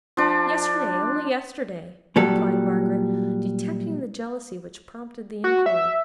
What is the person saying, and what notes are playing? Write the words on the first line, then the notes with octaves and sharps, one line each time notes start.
'Yesterday, only yesterday,' replied Margaret, detecting the jealousy which prompted the inquiry.
F3 D4
A#2 F#3 G3 A4
F#4
E5